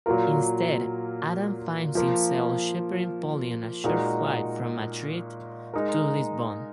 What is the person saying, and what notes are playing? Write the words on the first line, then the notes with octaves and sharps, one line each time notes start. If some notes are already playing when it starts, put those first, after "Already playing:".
Instead, Adam finds himself shepherding Polly on a short flight from Madrid to Lisbon.
A#2 F#3 A#3 F4 A#4
F3 A#3 F4
A#2 G#3 D#4 F#4 A#4
G#3 D#4 A#4